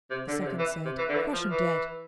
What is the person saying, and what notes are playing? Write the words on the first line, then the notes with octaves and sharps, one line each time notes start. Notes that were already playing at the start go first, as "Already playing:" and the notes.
The second said, 'Crush him dead.'
C3
D3
D3
C3
E3
C3
E3
D3
E3
F3
E3